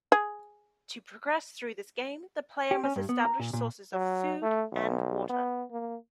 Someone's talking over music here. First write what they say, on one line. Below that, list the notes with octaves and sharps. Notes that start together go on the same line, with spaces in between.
To progress through this game the player must establish sources of food and water.
G#4
G4
C#4
G2
B3
A#5
A#2
A#2
F#3
A3
B1
B3
A#3